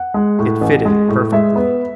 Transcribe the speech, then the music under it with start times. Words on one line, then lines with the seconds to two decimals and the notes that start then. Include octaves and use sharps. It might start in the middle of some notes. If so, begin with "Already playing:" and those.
It fitted perfectly.
Already playing: F#5
0.14 G#3
0.39 A2
0.61 A1
0.85 G#3
1.09 A2
1.32 G#3 E5
1.56 B3